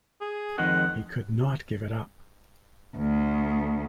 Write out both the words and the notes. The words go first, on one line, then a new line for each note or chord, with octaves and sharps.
He could not give it up.
G#4
F2 D#3 G#3 F#5
D2